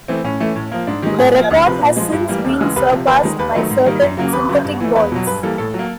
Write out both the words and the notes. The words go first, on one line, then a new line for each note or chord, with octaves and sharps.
The record has since been surpassed by certain synthetic boules.
E3 A3 C4
A2 C#4
E3 A3
A2
F3 A#3
G#2 D4
D#3 G#3 G4
A2 G#4
F3 A#3
D2
C3 F3 B4
A#2
F3 G#3
G2
E3 G3 A#3
D#2
C#3 E3 G#3
C2 B4
C3 F3
D#2 B4
D#3 G#3
D#2 B4
D#3 F#3 A3
G#2
D#3 G3 A#3
F#2
C#3 F#3 A#3
D#2 B4
C#3 F#3
G2
E3 A3
E2 B4
B2 F#3
G2 B4
E3 G3 A#3 A4
A2 A4
F#3
A#3